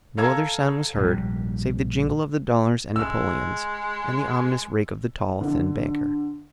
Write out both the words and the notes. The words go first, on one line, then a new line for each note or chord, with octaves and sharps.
No other sound was heard save the jingle of the dollars and napoleons, and the ominous rake of the tall, thin banker.
A4 F5 A#5 E6 G#6
A#1 G#2 G3
G#3 E6
D3